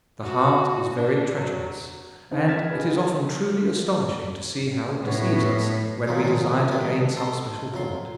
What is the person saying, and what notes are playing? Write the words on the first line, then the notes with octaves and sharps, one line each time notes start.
The heart is very treacherous; and it is often truly astonishing to see how it deceives us when we desire to gain some special point.
F#4
D4
F#3
C#3 C4 D4 D#4 C5
F6 G#6 A6 B6 E7
D#4 F4 G4 G#4 B4
A2 B3 C#5
F2 A#2 D#3 F3 F#3 G#3
A#2 D#3 F3 F#3 G#3
A2 D#3 E3 G3 B3
A4 C5 A#5
F2 F#3 C6